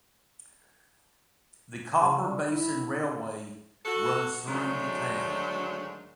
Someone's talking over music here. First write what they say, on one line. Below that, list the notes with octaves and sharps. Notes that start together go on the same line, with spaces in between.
The Copper Basin Railway runs through the town.
C#3
G3
E4
F#4 A4
D2 G#2 D#3 F#3 A3 D4